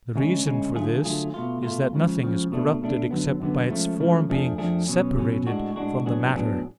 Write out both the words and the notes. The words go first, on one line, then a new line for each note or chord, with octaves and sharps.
The reason for this is, that nothing is corrupted except by its form being separated from the matter.
D2 C#3 G#3 C#4
D2 C#3 G#3 C#4
D3 F#3 A3 F4 G#4
D3 F#3 A3 F4 G#4
B2 A3 F4
B2 A3 F4
C#2 C#3 F3
C#2 C#3 F3
B2 A3 D4
B2 A3 D4
F#2 D3 F#3 B3
F#2 D3 F#3 B3
C#2 C#3 F3 A3
C#2 C#3 F3 A3
F2 F3 A3 D4 G#4
F2 F3 A3 D4 G#4
B2 F#3 C#4
B2 F#3 C#4
A2 G#3 D4 F#4
A2 G#3 D4 F#4
A2 F#3 B3 D4 G#4
A2 F#3 B3 D4 G#4